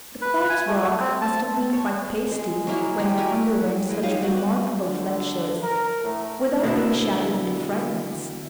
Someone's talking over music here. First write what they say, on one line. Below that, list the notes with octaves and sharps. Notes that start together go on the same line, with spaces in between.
The quartz rock must have been quite pasty when it underwent such remarkable flexures without being shattered into fragments.
B4
G#5
A3
C4
A5
C#5
G#3
F#3 G#3 A#3 E4
G3 G#3 G4
F#4 A#4 G#5 B5
E3 F3 G#3 A#3 E4
F#3 G3 D#4 F4 G#4 F5
B3 C4 F#4 D#5 F#5
D3
A#4
A2
B2 D3 A#3 D4 E4